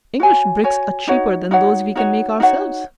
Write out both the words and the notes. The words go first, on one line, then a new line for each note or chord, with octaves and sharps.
English bricks are cheaper than those we can make ourselves.
F#4 C#5 G#5
F#4 C#5 G#5
D#4 F#4 C#5 F#5
D#4 F#4 C#5 F#5
D#4 F#4 C#5 F#5
D#4 F#4 C#5 F#5